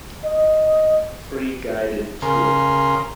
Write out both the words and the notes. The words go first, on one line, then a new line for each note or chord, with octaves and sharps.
Free guided tour.
D#5
C#3 A#4 C6